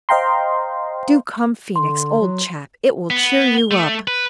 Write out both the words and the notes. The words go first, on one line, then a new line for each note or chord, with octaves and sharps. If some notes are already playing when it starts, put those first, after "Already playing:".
Do come, Phoenix, old chap; it will cheer you up.
C5 D#5 F5 G5 A#5 C6
D3 C6
F#3
B3
A3
B4